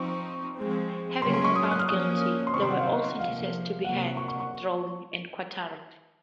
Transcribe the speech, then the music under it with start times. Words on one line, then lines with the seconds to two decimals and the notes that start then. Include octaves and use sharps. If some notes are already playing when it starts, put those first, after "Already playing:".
Having been found guilty, they were all sentenced to be hanged, drawn and quartered.
Already playing: F3 C4 D#4 C#6
0.57 F3 G#3 C4
1.22 C#3 F#3 A#3 C#4 C6
1.34 C6
1.44 C#6
1.55 D#6
1.63 F6
1.71 F#6
1.79 F6
1.88 F3 A#3 C#4 D#6
2.47 C6
2.53 C3 D#3 F#3 C4 C#6
2.62 C6
2.71 F#5
2.78 F5
2.86 D#5
3.19 C3 F3 A#3 F5
3.84 C3 F#3 A#3 F#5
4.17 C#6
4.28 C#6
4.40 C#6